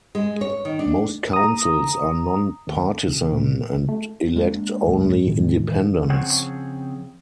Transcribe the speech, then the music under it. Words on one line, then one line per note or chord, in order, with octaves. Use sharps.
Most councils are non-partisan and elect only independents.
G#3
C#5
D#3
D4
A#5 D#6
D#2
C#2
A#2
A3
G#3 A#3 C4 D4
C#2 G#2 G#3 A#3
A2 D#3 E3 G#3
C#3 F3 C4 G#4 C#5 F#5